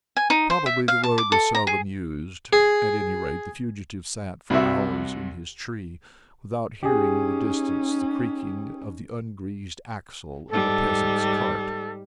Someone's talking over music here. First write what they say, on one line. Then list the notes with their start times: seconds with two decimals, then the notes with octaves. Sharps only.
Probably the road was seldom used; at any rate the fugitive sat for hours in his tree, without hearing in the distance the creaking of the ungreased axle of a peasant's cart.
0.17 G#5
0.30 D#4
0.50 C5
0.66 E5
0.88 F5
1.03 A5
1.18 D6
1.32 A4
1.55 A#5
1.67 G#4
2.53 G#4
4.50 C2 C3 F#4 E5
6.83 C#4 D#4 G4 G#4
10.50 G#2 G3 A4